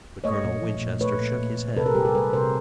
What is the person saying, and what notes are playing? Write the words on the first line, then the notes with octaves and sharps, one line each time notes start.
But Colonel Winchester shook his head.
A3 C#5 D#5
A#2
F3
A#2
A3 B4 C#5
A#2
A#2
A#2
C3 A4 B4
G#4 A#4
G3 G4 A4
G#4 A#4
G3 A4 B4
C3 A#4 C5